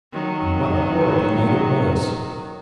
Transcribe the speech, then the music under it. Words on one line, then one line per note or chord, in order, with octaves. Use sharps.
And what a horrible night it was!
D#3 F#3